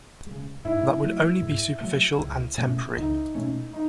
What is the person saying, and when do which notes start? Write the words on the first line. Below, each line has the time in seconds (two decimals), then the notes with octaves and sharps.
That would only be superficial and temporary.
0.26 C#3 G#3
0.65 G#2 E4
1.03 F#3 A3
1.42 G#2
1.81 F#3 A3
2.19 C#2
2.57 B2 A3 C#4
2.96 C#2 D#4
3.35 B2 A3 C#4
3.73 D#4